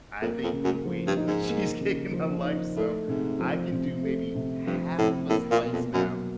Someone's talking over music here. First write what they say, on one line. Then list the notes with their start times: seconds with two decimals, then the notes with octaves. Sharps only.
I've eaten way too much cheesecake in my life, so I can do maybe half of a slice now,
0.22 F2 A#3
0.44 F2
0.53 C#3
0.64 F#2
0.85 F3
1.07 G2
1.17 D#4
1.28 G#2
1.49 A#3
1.80 C#3
2.13 F3
2.44 D#4
2.76 A2 A3
3.08 G#2 C3
3.40 F3
3.72 C3
4.03 A3
4.35 C3
4.67 G2 F3
4.99 A2 C3
5.30 A2 A#3
5.51 A#2
5.63 B2
5.73 F2
5.93 F#2 F#3